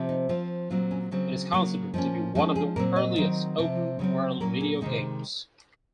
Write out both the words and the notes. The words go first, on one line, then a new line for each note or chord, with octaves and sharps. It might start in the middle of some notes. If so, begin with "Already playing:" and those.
It is considered to be one of the earliest open world video games.
Already playing: C3 F3 C4
D#4
F3 C4 F4
A#2 F#3 C4 F4
C#4
C#3 F#3 C4
C#3 F#3 A#3 F#4
F3 A#3 C#4 D#4
F3 G#3 C#4 F#4
G#4
A#2 F#3 C4 A#4
D#5
D#3 F#3 C4
C3 F3 C4
C#3 F#3 C4 C#5
A#2 F#3 A#3 C#4 A#4
G#4
C3 D#3 G#3 D#4